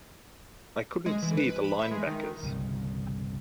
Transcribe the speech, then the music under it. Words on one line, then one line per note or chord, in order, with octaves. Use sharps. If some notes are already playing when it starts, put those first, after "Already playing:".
I couldn't see the linebackers.
G#3
E3
B4
B5
E5
G#3
D#3
G1 C2 C#3